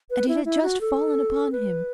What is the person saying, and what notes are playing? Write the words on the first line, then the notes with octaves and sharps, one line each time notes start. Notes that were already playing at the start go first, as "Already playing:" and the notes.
And it had just fallen upon him.
B4
E4
E4
F#4
A4
B4